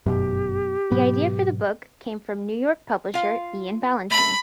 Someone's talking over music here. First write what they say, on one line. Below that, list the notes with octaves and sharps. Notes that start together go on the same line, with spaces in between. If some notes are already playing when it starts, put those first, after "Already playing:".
The idea for the book came from New York publisher Ian Ballantine.
G1 F#2 B2 G4
G#2 B2 F#3 B3
F4 F5
A3 B5